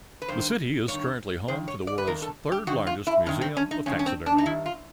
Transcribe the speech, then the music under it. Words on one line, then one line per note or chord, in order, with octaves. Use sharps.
The city is currently home to the world's third largest museum of taxidermy.
B4
G2 D#3 C5
G2 D#3 C#5
G2 D#3 C5
C#5
D5
B4
G2 D#3 A#4
A4
G4
G2 D#3 F#4
F4
E4
G2 D#3 C#4
C4
C#4
D#4
G2 D#3 C#4
C#4
C4
D4
D#4
G2 D#3 E4
F4